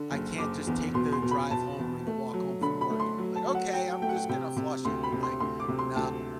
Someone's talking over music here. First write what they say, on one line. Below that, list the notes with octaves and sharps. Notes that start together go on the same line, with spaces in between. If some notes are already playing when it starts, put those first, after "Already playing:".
I can't just take the drive home or the walk home from work and be like, "Okay! I'm just gonna flush it." Like, no,
Already playing: D3
F#1
F#1 D6
E2
B2 C6
C6
B2
B5
B2 A5
E2
A3
F#3
D3 B5
B5
A3
C6
F#3
A5
F#3
F#5
F#3 G5
A3 G5
F#5
G5
C3 G5
C3
D2 C6
B5
C3
C6
D2 C6
D6
C3
C6
D2 A5